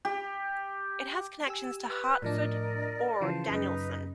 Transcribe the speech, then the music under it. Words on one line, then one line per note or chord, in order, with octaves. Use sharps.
It has connections to Hartford or Danielson.
G4
G4 G#5 E6
B4 F#6
A2 F3 D4 A#4 D5 D#5
C#3 E3 F3 C5 F5 A5
F#2 C#3 D#4 B4 D#5